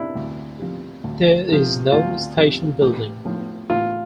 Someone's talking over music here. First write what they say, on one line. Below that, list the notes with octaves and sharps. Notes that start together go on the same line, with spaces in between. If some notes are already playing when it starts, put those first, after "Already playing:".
There is no station building.
Already playing: C3 D4 E4
D2
C3 F3
D2
C3 F3
D2 F4
C3 F3
A1 G4
A2 F3
A1 F4